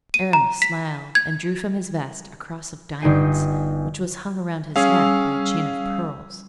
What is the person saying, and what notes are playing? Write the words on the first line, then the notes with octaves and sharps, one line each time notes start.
Aramis smiled and drew from his vest a cross of diamonds, which was hung around his neck by a chain of pearls.
D#7
A#5
B6
G#6
G1 D#4 G5 G#5 C7
G3 C#4 G#4 F5 E6